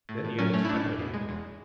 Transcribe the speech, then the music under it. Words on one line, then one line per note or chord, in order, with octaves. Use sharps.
Then the unexpected happened.
A2
A2
F#3 C#4
A3 C#4
E4
A2 D4
A2
B2
G#3
E2